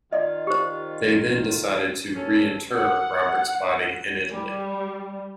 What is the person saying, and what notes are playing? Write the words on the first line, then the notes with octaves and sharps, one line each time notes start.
They then decided to re-inter Robert's body in Italy.
D#3 F4 D5 D#5
G4 C5
A#3 C#4 A4
F#5
G3